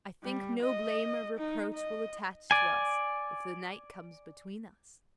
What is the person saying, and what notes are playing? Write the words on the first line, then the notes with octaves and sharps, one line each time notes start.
I think no blame or reproach will attach to us if the night comes between us.
G3
D#5
D#4
D#5
D5 G#5